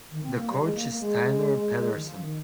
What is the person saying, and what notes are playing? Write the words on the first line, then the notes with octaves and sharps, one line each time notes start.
The coach is Steinar Pedersen.
D#3
C4
A#3
G3
G#3
A#3
A#3
G#3
D#3
F3
D#3